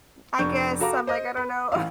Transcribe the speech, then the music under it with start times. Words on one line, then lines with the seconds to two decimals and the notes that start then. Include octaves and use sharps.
I guess I'm, like, I don't know,
0.39 F1 D4 C#6 G6
0.80 F#4 A4 F5 A#5 D6
1.07 C5 D#5
1.37 B4
1.72 A1 F5